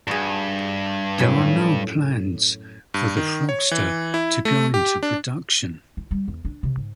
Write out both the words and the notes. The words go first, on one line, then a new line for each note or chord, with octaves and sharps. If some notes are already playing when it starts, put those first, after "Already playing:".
There are no plans for the Frogster to go into production.
G2 F#4 G#4
F#2 A2 B5
G2
D#3
C#5
E3
E4
A3
G4
D4
E4
G3
E2
D4
C3
G#2